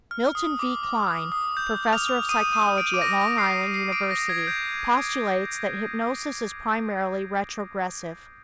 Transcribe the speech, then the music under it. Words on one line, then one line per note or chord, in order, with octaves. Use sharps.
Milton V. Kline, professor of psychology at Long Island University, postulates that hypnosis is primarily retrogressive.
F6
D#6
D6
D6
D#6
D#6
G6
F6 F7
D#6 D#7
D#6 D#7
D7
D#7
D6 D7
A#6
C7
C7
D6 D7
A#6
G#6
G6